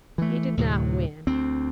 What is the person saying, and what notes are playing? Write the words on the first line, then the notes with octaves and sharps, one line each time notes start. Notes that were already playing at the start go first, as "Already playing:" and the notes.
He did not win.
E3 A3
D2 A2 C3 F#3
D2 C4